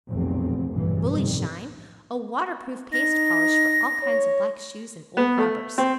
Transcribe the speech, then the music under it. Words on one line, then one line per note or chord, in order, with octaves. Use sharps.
"BULLY SHINE." A waterproof paste polish for all kinds of black shoes and old rubbers.
F1 B1 E2 A#2 F#3 C4
B1 G2 A#2 C#3 E3
F2 A2 C3 D#3 G3
D#4 A#6
C#5
B3
A3
C4